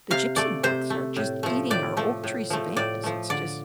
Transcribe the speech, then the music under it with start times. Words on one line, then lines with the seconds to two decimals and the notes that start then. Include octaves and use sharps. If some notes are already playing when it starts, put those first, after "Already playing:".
The gypsy moths are just eating our oak tree savannahs. It's just
0.11 C3 F5
0.36 A3 D5
0.63 C3 C5
0.90 A3
1.16 A2
1.43 F3 A3
1.70 A2 D5
1.97 F3 A3
2.24 A2
2.50 F3 A3
2.77 A2 D5
3.03 F3 A3
3.30 D3 D5